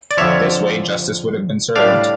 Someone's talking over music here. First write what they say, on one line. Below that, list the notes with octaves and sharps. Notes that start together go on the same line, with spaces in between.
This way, justice would have been served.
D5
F2 D3 F3 C#5 E5
A2 G3 D4 D5 F5